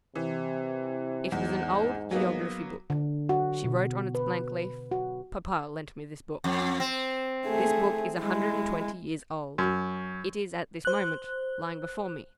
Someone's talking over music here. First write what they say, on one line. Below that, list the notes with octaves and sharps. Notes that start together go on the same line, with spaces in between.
It was an old geography-book; she wrote on its blank leaf, 'Papa lent me this book.' This book is a hundred and twenty years old; it is at this moment lying before me.
C3 E3
E2 G#2
F#3 A#3 B3
D3
F#4
B2
B4
F#4
F2
C4
A3 G#4
G#3 E4
F#2
C5 F#6